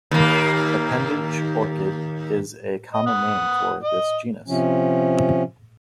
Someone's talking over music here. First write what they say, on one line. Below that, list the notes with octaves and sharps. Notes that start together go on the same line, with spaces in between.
Appendage orchid is a common name for this genus.
D#2 A#3
D#5
F#5 D#6
D#5
C3 F3 C#4